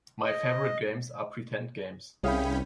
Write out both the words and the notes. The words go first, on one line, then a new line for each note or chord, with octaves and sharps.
My favorite games are pretend games.
D#5
C2 C#4 E4 G#4 F5 G5 B5